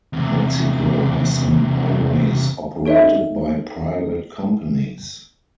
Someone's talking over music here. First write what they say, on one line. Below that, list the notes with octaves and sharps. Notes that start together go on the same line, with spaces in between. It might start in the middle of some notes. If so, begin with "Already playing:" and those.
Mexico has some highways operated by private companies.
E2 C3
D#4 A4 C#5 D#5 E5